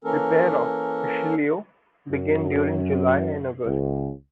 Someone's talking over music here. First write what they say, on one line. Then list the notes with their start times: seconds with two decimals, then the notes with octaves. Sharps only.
Repair of "Richelieu" began during July and August.
0.04 E3 A#3 C#4 A4 A#4
2.10 F#2
3.66 C#2